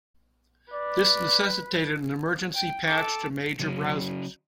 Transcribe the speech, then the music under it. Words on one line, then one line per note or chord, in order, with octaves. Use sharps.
This necessitated an emergency patch to major browsers.
B4 D5
G5
A4 D6
C#3 F#3 C#4